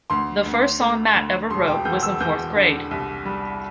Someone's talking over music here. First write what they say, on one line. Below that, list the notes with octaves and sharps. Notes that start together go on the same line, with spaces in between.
The first song Matt ever wrote was in fourth grade.
D2 C6
D2
A3
D2
E1 C6
G5
E2 G6
E6
E2 G6
D3
C2
G3